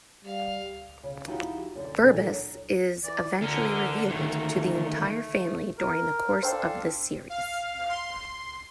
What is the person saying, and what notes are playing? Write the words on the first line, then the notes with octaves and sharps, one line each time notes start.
Ferbus is eventually revealed to the entire family during the course of the series.
G3 F5
C#3
F3 D#4 E4 F#4 G4
F#2 D3
A#2 E3 D4 A4 G#5
F#3
E3 D5
D2 D3 A#4 G#5
D2 D#3 A3
A#4
D4 A4 C5 F5 G5 C6
F5
C6